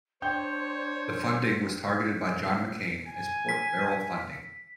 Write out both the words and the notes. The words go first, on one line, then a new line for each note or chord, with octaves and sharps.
The funding was targeted by John McCain as pork-barrel-funding.
D4 C5 C#5 G5 G6
G#5
B6